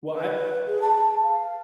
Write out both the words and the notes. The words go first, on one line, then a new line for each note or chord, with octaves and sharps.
Well, I've
B4
G#4
A5
F5